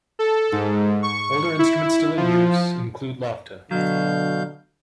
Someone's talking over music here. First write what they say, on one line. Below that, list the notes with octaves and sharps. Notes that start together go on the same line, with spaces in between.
Older instruments still in use include lavta.
A4
G#2
C#6
E4
F3
B2 D3 F#3 F5 G6